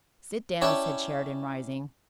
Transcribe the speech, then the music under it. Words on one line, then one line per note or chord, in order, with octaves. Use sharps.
"Sit down," said Sheridan, rising.
C#4 E4 G4 C#5 D5 A5